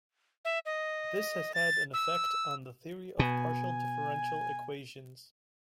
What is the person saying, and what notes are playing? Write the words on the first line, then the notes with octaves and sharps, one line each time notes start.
This has had an effect on the theory of partial differential equations.
E5
D#5
A6
E6
B2 G#5